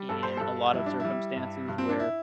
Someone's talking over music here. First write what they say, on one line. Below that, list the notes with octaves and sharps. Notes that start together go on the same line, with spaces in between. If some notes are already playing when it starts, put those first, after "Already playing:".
in a lot of circumstances where,
Already playing: G3
G2 A4
C5
G2 A4
G3 E4
D4
G3 E4
G2
G2
C4
D4
E4